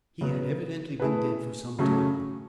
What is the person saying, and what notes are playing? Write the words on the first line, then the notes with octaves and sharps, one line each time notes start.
He had evidently been dead for some time.
C#3 F#3 B3
A3 E4 G#4 B4
C#3 F#3 A3 C#4